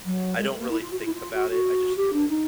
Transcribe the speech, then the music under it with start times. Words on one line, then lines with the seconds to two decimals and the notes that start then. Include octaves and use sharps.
I don't really think about it, I just do it.
0.05 F#3
0.37 G#3
0.48 A3
0.58 A#3
0.69 E4
0.80 F4
0.90 F#4
0.98 F4
1.05 E4
1.13 F4
1.33 F#4
1.49 F#4
1.96 G4
2.13 D4
2.28 D#4